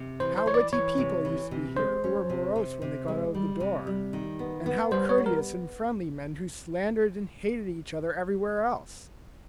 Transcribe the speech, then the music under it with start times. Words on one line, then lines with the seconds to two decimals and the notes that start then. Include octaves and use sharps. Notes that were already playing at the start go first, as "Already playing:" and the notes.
How witty people used to be here who were morose when they got out of the door; and how courteous and friendly men who slandered and hated each other everywhere else!
Already playing: C3
0.20 E3 C5
0.38 C5
0.46 E3 C#5
0.54 D5
0.73 E3 C#5
0.98 C3
1.25 E3
1.51 C3
1.77 G#3 C5
2.04 C#4
2.30 C3
2.56 C3
2.82 C3
3.08 G#3
3.34 G3
3.60 C3
3.87 G3
4.13 D#3
4.39 B3
4.66 B3
4.91 G3 C5
5.09 C#5
5.18 B3
5.26 A#4